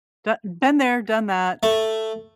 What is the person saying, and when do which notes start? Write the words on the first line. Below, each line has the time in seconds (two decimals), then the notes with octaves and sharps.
Do been there, done that,
1.63 A3